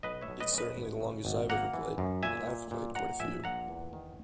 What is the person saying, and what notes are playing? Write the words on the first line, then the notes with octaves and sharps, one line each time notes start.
It's certainly the longest I've ever played, and I've played quite a few.
B1 B4 D#5
C#5 E5
B1
B4 D#5
C#4
B4 D#5
G#1
C#3
G#1
A#3 F#5 A#5
E3
F#2
A#2 E5 G#5
A#2
A#2
A#2 F#5 A#5
A#1 E5 G#5
A#2 F#5 A#5
E2
D#3